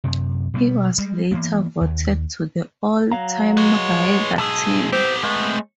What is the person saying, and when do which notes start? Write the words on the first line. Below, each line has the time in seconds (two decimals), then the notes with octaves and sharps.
He was later voted to the All-Time Raider team.
0.04 F#2 C3
0.54 B2 G3 B3
0.98 G3 G#3
1.31 E3 A#3 B3
1.81 D#2
3.12 F#3 F5 A#5
3.57 G#3 B4 C#5
4.38 B1 G#4 A5 E6
4.93 B3 C4 G4
5.23 G#3 A3 B3 C4